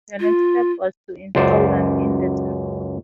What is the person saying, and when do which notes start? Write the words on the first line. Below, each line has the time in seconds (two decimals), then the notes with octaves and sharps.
The next step was to install them in the temple.
0.21 F4
1.35 C#2 F#2 C5 D5